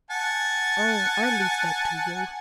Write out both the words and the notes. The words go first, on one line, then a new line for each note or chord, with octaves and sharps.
"Oh, I leave that to you."
F#5 G#5 A5